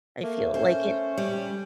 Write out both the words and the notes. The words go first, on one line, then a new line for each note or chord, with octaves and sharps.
I feel. Like, it
A3 A#3
C#4 C5
G3